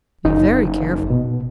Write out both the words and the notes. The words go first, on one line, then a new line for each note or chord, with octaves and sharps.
Be very careful.
F#1 D#4
B2